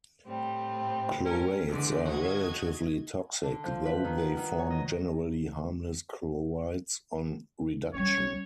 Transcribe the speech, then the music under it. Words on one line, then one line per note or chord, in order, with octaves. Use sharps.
Chlorates are relatively toxic, though they form generally harmless chlorides on reduction.
A2 G3 C4
C#4 A#4
E2 D3 G#3 D5
A2 F#4 D#5 G#6
D3
F3
B4
D#3
F#5
D#3
C#5
D#5
G3 C#4 C#5